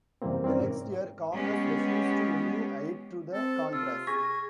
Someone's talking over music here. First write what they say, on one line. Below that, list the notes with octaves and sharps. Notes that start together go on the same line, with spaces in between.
The next year, Congress refused to renew aid to the Contras.
F#2 C3 E3 G3 A#3 C4
C4 C#4 E4 A#4 D5
G#2
G#3 B3 C#4 G4
C4 A4
C3 F4 E6
G#4 G#5 C#6 A#6 B6